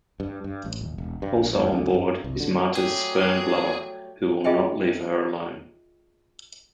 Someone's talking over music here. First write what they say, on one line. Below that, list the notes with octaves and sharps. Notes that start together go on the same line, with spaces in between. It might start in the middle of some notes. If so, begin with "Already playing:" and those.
Also on board is Marta's spurned lover, who will not leave her alone.
G2
G2
A1
D#1
E1
G2
A#1
F#2
D2
G2
C2
D3
F#3 G3 A3 G4 G#4
F4 G#4 D#5 E5 G5 G#5